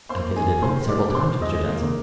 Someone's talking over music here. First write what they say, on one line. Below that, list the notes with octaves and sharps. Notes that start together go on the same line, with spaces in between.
"I've visited both several times, Mr. Denzil."
A#3 C5 C6
D#4 G#4 G#5
D#3 C5 C6
G3 D5 D6
D6
F3 C5 C6
G#3 D#5 D#6
A#3